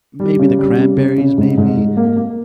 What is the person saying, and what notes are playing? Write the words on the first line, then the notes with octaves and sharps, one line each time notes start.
maybe The Cranberries, maybe?
G3
C#3
G3
C#3
C#3
C#3
G#2
G#2
G#2
A#3
A#3